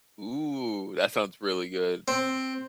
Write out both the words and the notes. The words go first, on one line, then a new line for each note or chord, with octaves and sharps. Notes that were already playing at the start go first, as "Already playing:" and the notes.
Ooh, that sounds really good.
C4